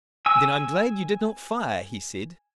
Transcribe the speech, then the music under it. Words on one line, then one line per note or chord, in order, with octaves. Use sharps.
"Then I'm glad you did not fire!" he said.
G#5 E6